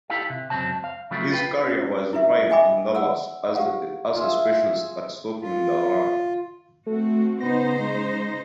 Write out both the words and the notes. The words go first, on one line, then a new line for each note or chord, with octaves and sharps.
His career was revived in Dallas as a specialist at stopping the run.
E4 G4 A4 F5
C3
C#2 F#2 F#3 C4 A5
F5
C#3 F3 F#3 A3 C4
F4 B4 G5
C#4 B4
E4 B4 E5
D#5 E5 G5 G#5 B5 D6
F#5 E6
G4 F5 F#5
F4 G#4 E5
F4
A3 C4 F#4
C#3 B3 D#4 C5 A#6
G#3